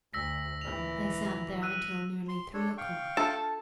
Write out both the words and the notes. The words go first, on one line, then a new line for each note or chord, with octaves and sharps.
They sat there until nearly three o'clock.
D2 E6 A#6 B6
A#2 E3 F7
E6 F#6 D#7
C6
D4 A4 C#5
F5 G5 C#6
D4 F4 A4 E5 A5